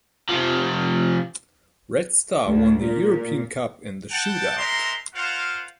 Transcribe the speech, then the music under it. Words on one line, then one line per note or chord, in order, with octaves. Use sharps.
Red Star won the European Cup in the shootout.
C3 F3
D2
A#2
F#5 G5 A5
G#3 C4 A#4 E5 A#5 C6
F4 A#4 C5 F5 F#5